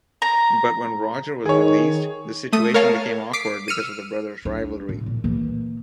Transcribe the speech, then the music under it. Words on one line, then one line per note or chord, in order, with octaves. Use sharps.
But when Roger was released, the situation became awkward because of the brothers' rivalry.
A#5
D#3 G#4 C#5
A3 D#6
A#4 C#5 F5 A5
D6 B6 C7 D7
E6 F6 C#7 D#7
D4
A2
A#2
E3 A#3